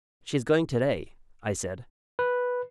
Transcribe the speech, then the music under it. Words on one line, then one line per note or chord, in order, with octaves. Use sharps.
"She's going to-day!" I said.
B4